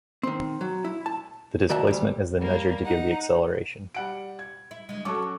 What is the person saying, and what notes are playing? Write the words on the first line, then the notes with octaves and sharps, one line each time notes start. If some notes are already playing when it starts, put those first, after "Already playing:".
The displacement is then measured to give the acceleration.
D#3 C4
F#3
E4
A5
C2 D#3 F#4 D5 E5 A5
D2 G3
G3 A#3
D#4 F#5
G3 F#5 D7
G#6
E4
D2 G#3
F#3 C#4 A4 C#6 D6